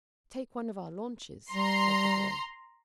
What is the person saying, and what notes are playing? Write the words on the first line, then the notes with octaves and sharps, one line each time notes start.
"Take one of our launches," said the boy.
G3 A#5 C6